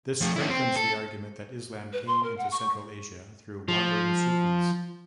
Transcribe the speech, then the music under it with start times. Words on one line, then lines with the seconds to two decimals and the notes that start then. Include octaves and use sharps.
This strengthens the argument that Islam came into Central Asia through wandering Sufis.
0.21 F3 A3
0.36 C#4 E4
0.49 C4 C5
0.76 A4
1.93 B4
2.07 C6
2.23 A#4
2.37 F#5
2.51 C#6
3.68 F3